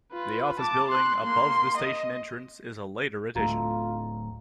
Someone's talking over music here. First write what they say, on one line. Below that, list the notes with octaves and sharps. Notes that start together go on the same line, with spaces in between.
The office building above the station entrance is a later addition.
F4 B4
A5 D6
C6 F#6
A#3 C6
D#5
D1 A3 F4 A#5